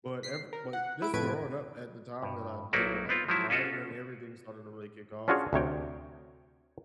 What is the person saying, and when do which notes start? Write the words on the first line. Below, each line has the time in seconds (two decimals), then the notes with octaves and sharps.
but ev but just growing up at the time that I did, like, right when everything started to really kick off,
0.23 B6 C7
0.53 A#4
0.73 F#5
1.02 E4 D7
1.14 F2 A2 B4 G#6 D7
2.22 G2
2.73 B1 F#3 A#3 D#4 E4 D5
3.09 B3 C4 F4
3.29 F3 F#3 E4
3.50 C#4 F4 F#4 A4
5.28 C#4 D4 F4 F#4 G#4 C#5
5.53 D2 C3 C#5 G5